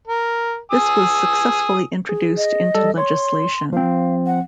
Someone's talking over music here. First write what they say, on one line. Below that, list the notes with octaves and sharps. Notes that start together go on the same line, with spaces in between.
This was successfully introduced into legislation.
A#4
G#5 D#6 E6
G#4
D#5
G3 A4
C#5 C6
F3 C4 F5
F#5